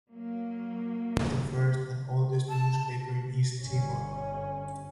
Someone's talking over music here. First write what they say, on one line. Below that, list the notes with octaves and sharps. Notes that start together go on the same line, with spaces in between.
It is the first and oldest newspaper in East Timor.
F#3 A#3
A5
G1 C#4